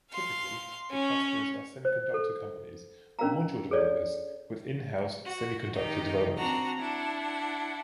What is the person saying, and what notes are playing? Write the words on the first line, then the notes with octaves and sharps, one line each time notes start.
Typically, the customers are semiconductor companies or module developers with in-house semiconductor development.
F5 C6
C#4
C5
A4
C#4 D4 A#4 D#5 F5 A#5
G#4 A4 C#5 D5
F#4
D#3 D#4 G4
C4 D4 F#4 A#5
D4 E4 F#5